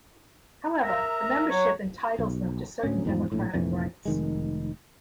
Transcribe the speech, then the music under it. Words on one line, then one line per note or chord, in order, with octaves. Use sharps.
However, the membership entitles them to certain democratic rights.
A#4 E5 A#5
F#3 C#5
B1
D2 A2 C#4
E2 G#2 F3
A#1 A2
F1 A#1 F2 E3
F1 D#3 G#3